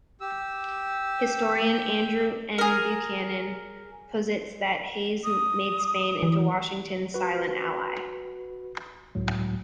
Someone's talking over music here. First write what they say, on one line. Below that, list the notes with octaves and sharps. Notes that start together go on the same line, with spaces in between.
Historian Andrew N. Buchanan posits that Hayes made Spain into Washington's 'silent ally.
G4 E6
G#4 A#4
D#6
E3
F#4 B4
C#2 A2 F#3